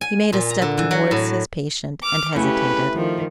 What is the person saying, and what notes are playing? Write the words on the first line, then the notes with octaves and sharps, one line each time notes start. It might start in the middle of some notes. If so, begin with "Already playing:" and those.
He made a step towards his patient and hesitated.
G#5
A#2
A#5
D3
E3
F#3
A2
D6 F6
C#3 A3 E4 G4 B4
D#3 F3